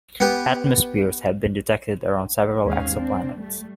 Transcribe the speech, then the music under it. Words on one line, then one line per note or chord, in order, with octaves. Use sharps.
Atmospheres have been detected around several exoplanets.
B3 G4
D#2 G#2 C#4 G#4 F5
C4 D4
G3 A3